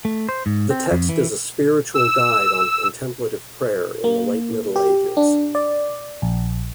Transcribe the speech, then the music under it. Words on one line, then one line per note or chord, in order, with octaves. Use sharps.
The text is a spiritual guide on contemplative prayer in the late Middle Ages.
A3
C5
G#2
C4
F2
E3
E6
A#3
G4
D4
D5
A#1